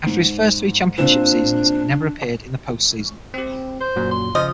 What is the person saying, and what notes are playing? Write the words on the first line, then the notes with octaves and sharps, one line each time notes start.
After his first three championship seasons, he never appeared in the postseason.
G#2
A#2 C4 D4 E7
C4 G4
C5
F#2 A#2 F#3
C6
C#3 F3 D#5